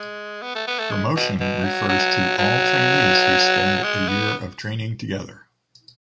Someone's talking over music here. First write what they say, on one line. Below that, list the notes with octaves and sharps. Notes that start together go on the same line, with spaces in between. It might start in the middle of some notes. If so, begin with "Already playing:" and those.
Promotion refers to all trainees who spend a year of training together.
Already playing: G#3
B3
A3
B3
A3
G#3
B2
B2
F#3
F#3
F#3
G#3
B3